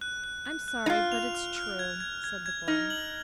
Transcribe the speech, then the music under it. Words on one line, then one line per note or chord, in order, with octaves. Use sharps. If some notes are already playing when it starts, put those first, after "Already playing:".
"I'm sorry; but it's true," said the boy.
F#6
F#6
F#6
F#6
D#4
F4 F6
F7
F6
F6
G#6
G#6
G#6
G#6
D#4 F6
F#7